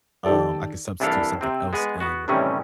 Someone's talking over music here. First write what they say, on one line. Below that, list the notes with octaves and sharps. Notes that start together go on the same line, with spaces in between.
um I could substitute something else in."
D#3 G4 A4 D5
C2 E3 D4 E4 A4 F5
C3 C4
G#3 B3 G#4
B3 F#4
A2 C3 D#3 E3 G3 C#4